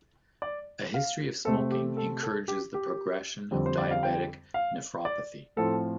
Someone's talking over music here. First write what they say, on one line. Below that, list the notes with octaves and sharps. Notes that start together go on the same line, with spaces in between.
A history of smoking encourages the progression of diabetic nephropathy.
D5
F5
C3 A3 C4 A4
G4
A4
A4
G4
G4
F2 D3 G3 C4
C5
D5
F5
G5
F5
D5
A2 F3 C4 A4